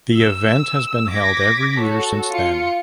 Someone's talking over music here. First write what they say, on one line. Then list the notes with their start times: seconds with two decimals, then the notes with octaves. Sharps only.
The event has been held every year since then.
0.16 E6
1.13 D6 G#6 A#6 B6
1.80 F#4 A4 C#5
2.31 F4 C#7